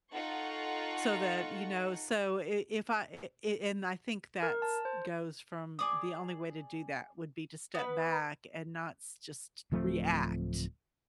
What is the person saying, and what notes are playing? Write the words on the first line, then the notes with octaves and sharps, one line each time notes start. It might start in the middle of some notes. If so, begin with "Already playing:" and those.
so that, you know, so i if I and I think that's goes from the only way to do that would be to step back and not st just react
D#4 F4 A4 F#5 C#6
A#4
A5
C5
G#4 D5 D#6
B3 B4
D1 F3 A3 C4